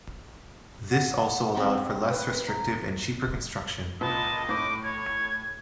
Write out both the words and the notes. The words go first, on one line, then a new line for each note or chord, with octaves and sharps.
This also allowed for less restrictive and cheaper construction.
F#5
C4 C#4 G5
B4
A#5
C#2 A#2 D#5 A5
A2 D6
C#5 G#6